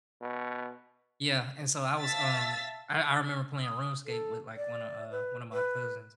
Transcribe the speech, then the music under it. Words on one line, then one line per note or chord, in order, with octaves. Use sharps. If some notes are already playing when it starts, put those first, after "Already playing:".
Yeah, and so I was, um I I remember playing RuneScape with, like, one a, uh one of my cousins,
B2
E5 F5 A5 E6 A6 B6
D#6
A4
D5
B4
B4